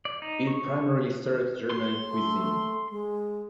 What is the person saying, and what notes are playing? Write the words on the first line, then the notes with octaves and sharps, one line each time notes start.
It primarily serves German cuisine.
D5
D#4
C#6
C6
A3
G#3